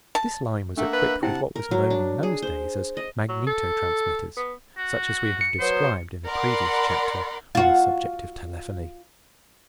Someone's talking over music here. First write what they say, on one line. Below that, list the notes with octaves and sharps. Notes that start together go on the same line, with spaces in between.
This line was equipped with what was known in those days as magneto-transmitters, such as we have described in a previous chapter on the subject of telephony.
A5
A3 A#3 D4 E5 F#5
B4
C3 E4 F#5 G5 A5
A#4
F#3
D4
G#4
C5
D#5
F#3
A4
B3
F#4
C#7
F#3 B3 C5
A#4 D5 F#5 B5 C6
F4 F#4